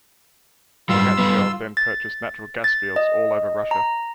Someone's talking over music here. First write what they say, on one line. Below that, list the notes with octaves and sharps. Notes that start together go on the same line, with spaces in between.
Bogachyov then purchased natural gas fields all over Russia.
G#2 G3 F4 C6 E6
G3 B3
A6
A6
D#5
A#5